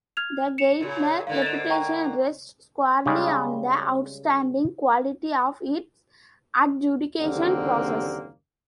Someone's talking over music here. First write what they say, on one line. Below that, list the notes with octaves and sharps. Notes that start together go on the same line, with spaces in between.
The Gairdner reputation rests squarely on the outstanding quality of its adjudication process.
F6 G#6 F7
C#7 E7 F7
A#2 C#3
G#2 D3 A#3 F5
A6 E7
G5 A#5 C#6
C#3 G3 G#3
F#1 D#2 D3 G3 A#3 C4